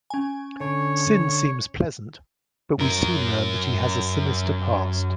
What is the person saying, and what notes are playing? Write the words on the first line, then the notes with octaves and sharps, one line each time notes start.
Syn seems pleasant but we soon learn that he has a sinister past.
C#4 G#5
D3 C#5
F#2 A#4